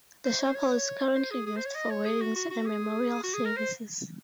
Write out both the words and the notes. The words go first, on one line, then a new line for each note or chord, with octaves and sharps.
The chapel is currently used for weddings and memorial services.
C5
C#5
C5
C#5
C5
G#4
G#4
C5
C#5
D#5
C#5
G#4
F#4
F#4
F#4
G#4
F#4
G#4
A#4
C5